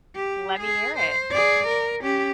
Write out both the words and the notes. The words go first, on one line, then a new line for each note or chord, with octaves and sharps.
Let me hear it.
G4
G#4
C5
G#4 D5
A#4
C#4 G4